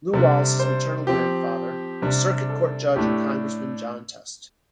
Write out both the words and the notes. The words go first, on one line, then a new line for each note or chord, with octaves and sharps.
Lew Wallace's maternal grandfather was circuit court judge and Congressman John Test.
C3 G3 D4 A4
C5
F3 C4 G4
C3 G3 D4
A4
A2 A3 D4 G4